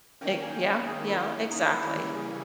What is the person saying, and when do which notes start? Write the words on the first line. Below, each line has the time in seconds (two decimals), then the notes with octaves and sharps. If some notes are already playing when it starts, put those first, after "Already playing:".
E yeah, yeah, exactly.
0.21 D#3 A#3 C#4 G5
0.42 G#5
0.51 G5
0.64 G5
0.86 G#4
1.08 E4
1.51 D#4
1.72 E4
1.95 C#3 E3 G3 A#3 C#4 G4
2.16 G#4